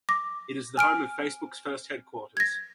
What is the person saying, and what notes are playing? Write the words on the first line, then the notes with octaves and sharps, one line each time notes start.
It is the home of Facebook's first headquarters.
D6 A#6
G#5 F6 D7
G#6 A#6